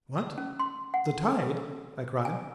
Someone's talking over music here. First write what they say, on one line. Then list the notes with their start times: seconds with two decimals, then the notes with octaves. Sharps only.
"What! the tide!" I cried.
0.18 E6
0.38 C#4
0.59 C6
0.94 F#5
1.28 A4
2.25 G#5